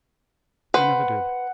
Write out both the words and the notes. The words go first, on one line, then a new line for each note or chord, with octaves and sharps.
"I never did."
B4 C5 F#5